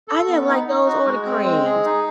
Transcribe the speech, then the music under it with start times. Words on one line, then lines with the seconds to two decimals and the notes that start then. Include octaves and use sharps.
I didn't like those or the creams.
0.08 A4
0.28 B3
0.48 D#4
0.67 D#4
0.87 F#4
1.06 G#3
1.26 C4
1.45 G#3
1.65 G#4
1.85 D#4